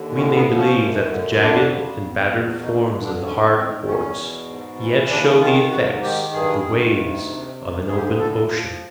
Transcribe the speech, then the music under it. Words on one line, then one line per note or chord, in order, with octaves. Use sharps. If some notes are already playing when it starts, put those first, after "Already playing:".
We may believe that the jagged and battered forms of the hard quartz yet show the effects of the waves of an open ocean.
Already playing: D#2 D3
A2 C#4
B3
F3
C#4
F#2
D3
F2 D4
C#3
E2
B2
G2 D#4
D#4
D3
D4
G#2 C#4
D#3 C4
E2 C#4
B2
G#2
E3
D#2 D4
D#3 F4
G#2 F#4
D#3 G4
G2 G#4
D#3
D2
C3
D2
D3 G#4
G4
G#4
A2 A4
F3